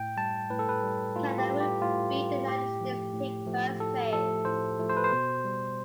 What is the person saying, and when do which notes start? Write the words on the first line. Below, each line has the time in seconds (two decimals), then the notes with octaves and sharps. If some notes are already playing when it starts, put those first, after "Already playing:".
Canada would beat the United States to take first place.
Already playing: A2 G5
0.17 G3 A5
0.50 A2 B4
0.59 A4
0.69 B4
0.83 G3
1.16 A2 F4
1.38 G4
1.49 G3
1.60 G4
1.82 A2 F4
2.14 G3
2.48 A2 G4
2.80 F3 A3
3.14 A2
3.46 F3 A3
3.79 A2 A4
4.13 F3 A3 A4
4.45 A2 C5
4.79 F3 A3
4.89 C5
4.97 B4
5.04 C5
5.12 B2
5.45 G3